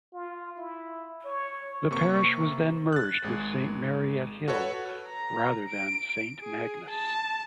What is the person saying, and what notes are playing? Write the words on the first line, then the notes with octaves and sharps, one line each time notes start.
The parish was then merged with Saint Mary at Hill rather than Saint Magnus.
F4
E4
C#5
C3 A#3 C#6
F#6 A6
G#1 G#3
F#4 A4 B4 C#5 F#5
A#5
D7
G#4
A5